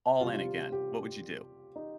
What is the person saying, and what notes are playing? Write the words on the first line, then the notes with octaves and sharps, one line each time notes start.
all in again? What would you do?
C3 G3 F4
G4
D#4